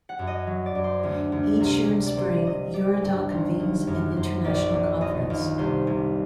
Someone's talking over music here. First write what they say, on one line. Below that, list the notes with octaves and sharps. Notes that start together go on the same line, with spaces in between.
Each year in Spring, Eurodoc convenes an international conference.
F#5
F#2
D#5
F#3
D5
F#2
C5
D2
D2
C2 A#4
C2
D5
C2 C5
C2 D#5
G3 D5
G1
D#2 C5
D#2
F#2 A#4
F#2 C5
A#1 D5
A#1
D#2 D#5
D#2
C2 C5
C2